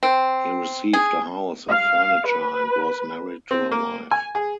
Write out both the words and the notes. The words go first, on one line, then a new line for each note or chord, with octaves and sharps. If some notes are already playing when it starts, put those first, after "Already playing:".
He received a house and furniture and was married to a wife.
C4
G#4
F5
B4
C4
A#3
G#5
G#4